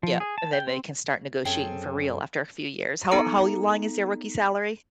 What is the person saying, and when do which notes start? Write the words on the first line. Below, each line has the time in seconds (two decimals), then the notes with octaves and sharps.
Yep, and then they can start negotiating for real after a few years. How how long is their rookie salary,
0.03 F3
0.20 G#4
0.38 A5
0.53 G5
0.67 C4
1.45 F#2 C4 C#4 G#4 A4 G5
3.11 B3 D#4 A4 A#5 C#7